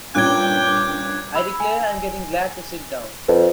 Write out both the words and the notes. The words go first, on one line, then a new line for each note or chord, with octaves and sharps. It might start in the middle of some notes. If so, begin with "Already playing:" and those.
I declare I’m getting glad to sit down.
G2 A#2 C#4 G5 D6 F#6 G#6
B5 E6
G#5
F2 B4